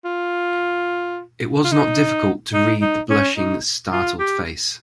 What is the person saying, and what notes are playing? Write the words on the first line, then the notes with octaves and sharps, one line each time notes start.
It was not difficult to read the blushing, startled face.
F4
F4
D#4
D#4
D#4
C#4
D#4
F4
G4